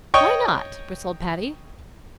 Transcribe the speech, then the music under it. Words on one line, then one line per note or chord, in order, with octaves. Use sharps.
"Why not?" bristled Patty.
C#5 D#5 G5 C#6